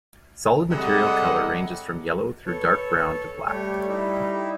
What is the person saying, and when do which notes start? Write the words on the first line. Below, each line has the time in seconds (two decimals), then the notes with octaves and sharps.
Solid material color ranges from yellow through dark-brown to black.
0.70 C3 G3 G#3 A4 D#5 F#5
2.47 A4 B4 C#5
3.47 G3 A3 G4 C#5
3.89 D#4 E4